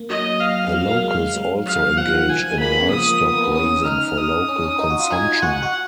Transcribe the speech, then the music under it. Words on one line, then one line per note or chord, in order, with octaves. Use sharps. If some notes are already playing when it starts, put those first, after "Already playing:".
The locals also engage in livestock raising for local consumption.
Already playing: A#3
F#3 D#5
F5
F#3
A#3
G#3
G#3
F#3
F5
F3 F#5
D#3
D#3 G#5
F3
G#3
A#3 B5
B3
C#3
F3 D#6
A#3
B3
A#3
B3
C#4 D#6
D#4 F6
D#6
C#4
C#4
D#4
F#4
F4
D#4 G#5
D#4
F4
F#4 F#5
F#4